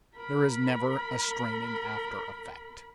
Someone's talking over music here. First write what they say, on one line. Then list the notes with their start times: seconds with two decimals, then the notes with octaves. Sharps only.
There is never a straining after effect.
0.15 A#4 B5